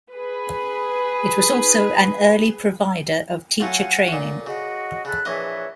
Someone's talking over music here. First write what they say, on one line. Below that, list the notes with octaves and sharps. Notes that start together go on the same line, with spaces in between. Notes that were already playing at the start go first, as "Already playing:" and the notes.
It was also an early provider of teacher training.
G#4 B4
F#3 A3 F4 F5 F#5 G#5
A#2 C#4
C#3 F#4 D#5
C#3 A4 B5 F#6
A#1 E3 B4 C#5 D#5 E5